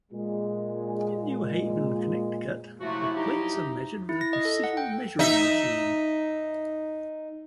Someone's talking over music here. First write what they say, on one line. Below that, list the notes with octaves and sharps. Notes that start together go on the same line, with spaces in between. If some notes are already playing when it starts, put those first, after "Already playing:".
In New Haven, Connecticut, the plates are measured with a precision measuring machine.
A#2 G#3
C3 F3 F#3 A3 E4 F#4
D#4 G4
E4
A#6
D#5
A4
F#5
G5
D#4 E5